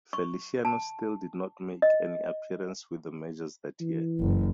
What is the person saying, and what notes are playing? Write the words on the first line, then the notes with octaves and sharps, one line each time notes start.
Feliciano still did not make any appearance with the majors that year.
C#6
A5
D#5
E3
F#1